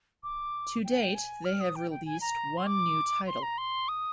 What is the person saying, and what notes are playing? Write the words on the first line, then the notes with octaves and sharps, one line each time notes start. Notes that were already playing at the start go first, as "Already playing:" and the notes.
To date, they have released one new title.
D6
G5
G#5
G5
G#5
F6
D#6
G5
G5
G#5
A#5
C6
D6
C6
A#5
C6
D#6